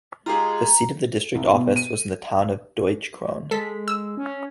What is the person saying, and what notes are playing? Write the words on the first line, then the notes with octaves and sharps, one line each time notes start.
The seat of the district office was in the town of Deutsch Krone.
G#3 F4 G4 G#4 A#5
C2
B2
D#7
G#3 A4 B6
E6
C#4